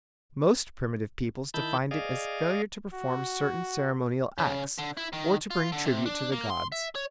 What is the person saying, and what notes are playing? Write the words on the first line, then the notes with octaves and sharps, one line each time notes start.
Most primitive peoples defined it as failure to perform certain ceremonial acts, or to bring tribute to the gods.
D#3 E4 A5 B5 G6
G#4 D5 D#5 F5
F#4
C#3
D3
E4
D#3
F4
D3
C3
D4
A#3
C6
E5
C#5